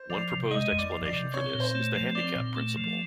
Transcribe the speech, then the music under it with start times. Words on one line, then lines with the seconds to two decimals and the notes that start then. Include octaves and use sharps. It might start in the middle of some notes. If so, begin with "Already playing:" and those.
One proposed explanation for this is the handicap principle.
Already playing: C5
0.10 F3 D5
0.31 C3
0.51 G#3 D#5
0.72 F2
0.79 D5
0.92 F3
1.06 D5
1.13 C3
1.34 C4 C#5
1.54 A#2
1.60 C5
1.75 A3
1.94 F3
2.15 C4 D5
2.35 A#2
2.56 A3
2.77 F3